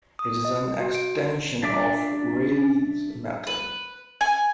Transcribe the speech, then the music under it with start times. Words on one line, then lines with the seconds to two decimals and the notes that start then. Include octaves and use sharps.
It is an extension of Rayleigh's method.
0.19 D#6
0.45 D#5
0.80 F#4
0.95 D7
1.63 D4 D5 E5 D6
3.47 B4
4.21 G#5